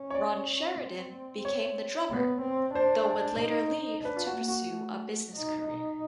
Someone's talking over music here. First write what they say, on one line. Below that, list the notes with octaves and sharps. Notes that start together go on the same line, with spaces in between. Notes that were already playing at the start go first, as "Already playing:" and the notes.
Ron Sheridan became the drummer, though would later leave to pursue a business career.
Already playing: C#4
C#5
D5
C4
C#5
B3
C4
D4 C5
D#4
D4 B4
F4
F#4
A#3
F#4
A3
D#4
D#4